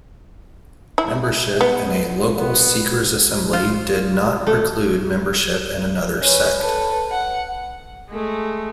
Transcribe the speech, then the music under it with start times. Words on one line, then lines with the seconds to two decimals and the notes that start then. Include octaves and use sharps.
Membership in a local Seekers assembly did not preclude membership in another sect.
0.98 E4
1.61 B3
2.38 B3
3.53 F4
4.47 A3
6.21 C#4 B4
6.60 A4 B4
7.11 F#5
8.09 G#3 A3